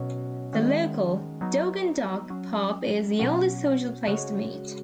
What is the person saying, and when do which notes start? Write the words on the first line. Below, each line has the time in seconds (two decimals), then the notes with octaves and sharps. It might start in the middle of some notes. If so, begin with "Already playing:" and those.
The local "Dog and Duck" pub is the only social place to meet.
Already playing: B2 F#3 C#4 F#4
0.53 D#3 G#3 C#4 F#4
1.41 F#3 B3 D#4
2.30 F#3 C#4 F#4
3.19 B2 F#3 C#4 F#4
4.07 C#3 G#3 C#4 F#4